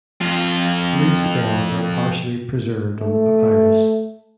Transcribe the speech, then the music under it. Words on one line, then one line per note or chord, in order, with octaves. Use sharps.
Three spells are partially preserved on the papyrus.
F2 F4
A3